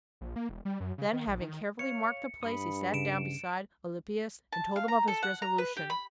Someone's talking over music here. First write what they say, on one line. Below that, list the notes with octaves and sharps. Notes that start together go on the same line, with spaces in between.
Then, having carefully marked the place, he sat down beside Alypius and told him of his resolution.
A#1
A#3
E1
G3
F#2
C#3
D#3
A#1
D#3
C#5 F5 C#7
G2 B5 D#6
C#3 D7 E7
A5
F5
A#5
A4
F#5
A#5
B4
G4
B5